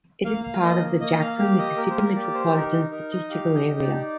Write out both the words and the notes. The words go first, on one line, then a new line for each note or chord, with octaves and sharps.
It is part of the Jackson, Mississippi Metropolitan Statistical Area.
A#3 F5
F5
A#3 D#5
A#3 D#5
F5
G4 F5
D#5
A#3 A#4
C5
A#4
G4 D5
C5
D#4 A#4
D#4 A#4
D#5
G4 F5
D#5
D#4
D5